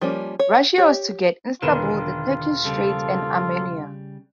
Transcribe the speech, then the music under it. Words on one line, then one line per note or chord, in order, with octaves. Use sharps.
Russia was to get Istanbul, the Turkish Straits and Armenia.
F3 G3 A#3 C#4
C#5
G4 C#5
E1 D3 D#3 F4 B4 E7
C#3 F3 G3 A#3 A4